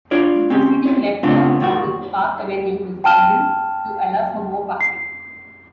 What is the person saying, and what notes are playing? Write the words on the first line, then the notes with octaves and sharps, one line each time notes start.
The proceeding left turn onto Park Avenue was widened to allow for more passing.
D4 F4 C#5 D5
C4 C#4 G4
C#3 A3 B3 C4 D4 F4
D#2 A#2 D#3 F#4
G5 A5 F6 E7
C7